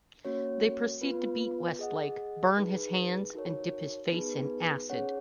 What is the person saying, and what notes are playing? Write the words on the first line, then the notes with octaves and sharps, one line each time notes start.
They proceed to beat Westlake, burn his hands and dip his face in acid.
A#3 C#4 F#4 C#5
B3 F4 B4
G#4 D#5 F#5
D#4 G#4 B4
D#4 F#4 A#4 C#5
B3 D#4 G#4 B4
C#4 G#4 C#5 F#5